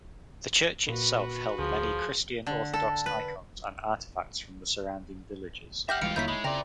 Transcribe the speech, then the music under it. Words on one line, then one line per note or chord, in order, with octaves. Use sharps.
The church itself held many Christian Orthodox icons and artifacts from the surrounding villages.
A#2 F#4 B4
D2 F3 G#4
D3
A4
B4
G4 E5 F#5 F6 G6 A#6
C2 G2 E3 G#3 F4 F6 C#7 D7
D#2 D3 A#3 D#4 E4 C#5 G6 B6
G#3 B5
C#3 C4 E4 A#4 D5